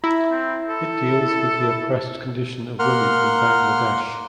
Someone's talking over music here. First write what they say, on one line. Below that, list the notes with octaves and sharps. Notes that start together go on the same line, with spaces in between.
It deals with the oppressed condition of women in Bangladesh.
E4 A#5
C4
A4
A#3 A#4 F#5 C6 F6